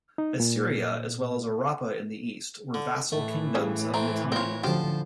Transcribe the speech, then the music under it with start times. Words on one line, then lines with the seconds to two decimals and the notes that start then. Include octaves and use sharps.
Assyria as well as Arrapha in the east were vassal kingdoms of Mitanni.
0.18 D#4
0.40 A#2
2.74 D3
3.12 A2 E3 A3
3.55 C#3 C#4 G4
3.94 A3 C4 A#5
4.32 C4 F4 A#4 C#5
4.63 D3 F3 C#4 F#4 G4 C5 A5